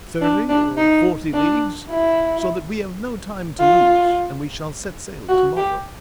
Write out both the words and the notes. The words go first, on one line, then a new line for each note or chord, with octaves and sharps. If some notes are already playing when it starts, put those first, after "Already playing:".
"Thirty or forty leagues; so that we have no time to lose, and we shall set sail to-morrow."
D4
D4
D#4
D4
E4
F4
F#4
G4